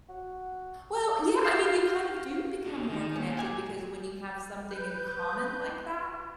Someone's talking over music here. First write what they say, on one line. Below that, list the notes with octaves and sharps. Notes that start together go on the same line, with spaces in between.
Well, yeah. I mean you kind of do become more connected because when you have something in common like that?
F#4
F5 G6 C7 E7
B2 D3
D#3
A#2 C#4
G4 F#5 G#5
B4 G6